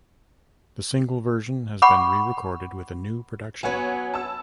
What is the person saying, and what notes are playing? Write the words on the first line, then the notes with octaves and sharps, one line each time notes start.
The single version has been re-recorded with a new production.
F#5 B5 C#6 D6
F#3 B3 C#5 F#5 G#5
A5 E6